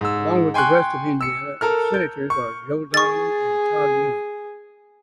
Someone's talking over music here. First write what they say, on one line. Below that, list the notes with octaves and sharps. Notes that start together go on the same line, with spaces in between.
Along with the rest of Indiana, its Sentators are Joe Donnelly and Todd Young.
G#2 E6
G5 G#5 C6 C#6 F#6
E6 C#7
A4 A#4 F6
G6
C#6
G#4 C#6 A6